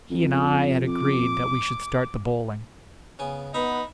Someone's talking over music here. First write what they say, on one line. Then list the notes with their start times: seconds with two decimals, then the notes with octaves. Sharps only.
He and I had agreed that we should start the bowling.
0.11 F2
0.90 D6
3.19 C#3 B3 G#5
3.54 B3 D#4 E5 B5